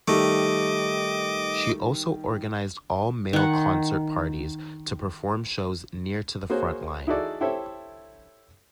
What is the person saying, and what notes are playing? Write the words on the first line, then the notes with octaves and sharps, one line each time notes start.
She also organized all-male concert parties to perform shows near to the front line.
D#3 G3 A3 D#5 D6
D#3 F#5
A#3 F#4 G#4 C5 C#5
D#4 E4 F#4 G#4 A4 D5
E4 G4 A4 C5 C#5 E5